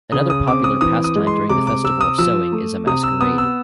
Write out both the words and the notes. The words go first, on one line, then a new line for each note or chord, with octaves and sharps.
Another popular pastime during the festival of sowing is a masquerade.
C#3 D#6
D#6
C4 D6
D#6
E3 D#6
D#6
G#3
C6
C3 D6
D6
C3 E6
D#6
F3 E6
A3
C3 D#6
E6
B3 D#6
E6